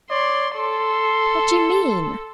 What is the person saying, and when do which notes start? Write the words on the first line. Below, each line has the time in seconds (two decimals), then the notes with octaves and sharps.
"What do you mean?"
0.10 C#5 D5 C6
0.56 A4 C6